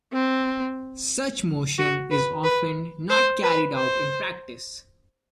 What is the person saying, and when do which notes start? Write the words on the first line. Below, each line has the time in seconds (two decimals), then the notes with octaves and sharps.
Such motion is often not carried out in practice.
0.13 C4
1.78 F#4
2.11 B4
2.44 B4
3.10 C5
3.43 B4
3.76 C5